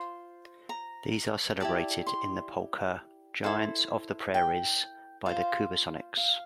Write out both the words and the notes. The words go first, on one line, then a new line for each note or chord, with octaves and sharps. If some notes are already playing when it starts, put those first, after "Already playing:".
These are celebrated in the polka "Giants of the Prairies" by the Kubasonics.
Already playing: F4 C5 C6
A#5
E4 G4 D5 A5
C6
E4 A4 C5 A5
G5
F4 C5 F5
F5